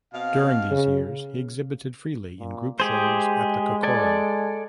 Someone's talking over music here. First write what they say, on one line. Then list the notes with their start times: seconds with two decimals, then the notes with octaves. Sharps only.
During these years he exhibited freely in group shows at the Corcoran.
0.13 B2 C4 F5
0.71 C#3
2.40 A#2
2.80 G#3 G4 G#4 C5
3.83 A4 D5 G#5